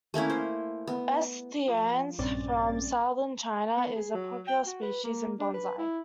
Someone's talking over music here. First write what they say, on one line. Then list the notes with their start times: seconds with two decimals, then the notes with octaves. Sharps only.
"S. theezans", from southern China, is a popular species in bonsai.
0.14 A3 A#3 C#4 E4
0.30 C5
0.87 B3
1.68 F3
2.19 A#1 G2 C4 C#4 D5 A6
3.77 B3
3.96 G#4
4.15 F#3
4.47 G5
4.66 F#4
4.82 B4
5.04 A#3
5.40 D4
5.54 B4
5.78 E4